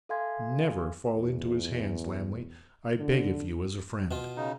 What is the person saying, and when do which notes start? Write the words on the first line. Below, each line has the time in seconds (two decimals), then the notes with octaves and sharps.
Never fall into his hands, Lammle, I beg of you as a friend!'
0.09 A4 E5 F5 G#5 C6 G#6
1.16 E2
3.00 D3
4.11 B2 F4
4.37 C#3 D#4